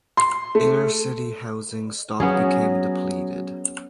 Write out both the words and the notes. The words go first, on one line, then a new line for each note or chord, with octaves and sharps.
Inner-city housing stock became depleted.
C6
A3
F#3 B3 C#4 G#4